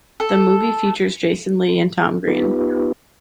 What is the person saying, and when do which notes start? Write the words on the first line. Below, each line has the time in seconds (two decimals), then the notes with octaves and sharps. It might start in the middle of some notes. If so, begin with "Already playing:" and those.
The movie features Jason Lee and Tom Green.
0.20 A4
2.28 B3 D#4 F4 G4 B4